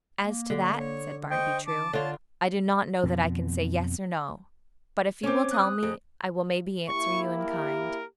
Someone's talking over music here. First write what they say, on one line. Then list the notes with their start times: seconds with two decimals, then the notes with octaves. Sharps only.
"As to that," said Barnaby True, "I do not know that I can say yes or no, but if you will tell me, I will maybe answer you in kind."
0.21 A#3
0.50 D3
0.79 C#5
1.31 C5 D#5 G5 C#6
1.67 A5 D6
1.93 D3 F4 C#5
3.03 F2 B2 D3
5.23 C4 C#4 C#5 D6
5.51 D#6 F#6
5.83 F2 G#4
6.89 A#3 E4 G4 C#6
7.40 A#4